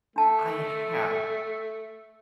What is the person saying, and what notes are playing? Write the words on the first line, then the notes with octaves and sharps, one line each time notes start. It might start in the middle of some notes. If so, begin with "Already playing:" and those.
I have,
A3 D4 A5